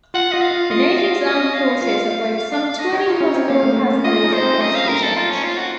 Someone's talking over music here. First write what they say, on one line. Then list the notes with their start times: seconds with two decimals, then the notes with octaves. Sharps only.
The nation's armed forces operate some twenty hospital facilities across Egypt.
0.14 F4 F#5
0.32 F4 D#5
0.42 F5
0.51 F4
0.70 F4 D#5
0.98 F5
1.26 D#5
1.54 F5
1.81 F4 F5
2.10 F5
2.37 F5
2.51 F5
2.65 F5
2.79 D#5
2.93 D#4 C#5
3.07 F4
3.21 C#4 C#5
3.34 C4
3.49 A#3 F5
3.63 A3
3.76 A#3
3.91 C#4
4.04 F4 D#5
4.24 D#4
4.33 C5
4.43 C4
4.61 D#5
4.75 F5
4.89 A#4
5.03 A4
5.16 F4
5.30 C#4
5.44 F4
5.58 F#4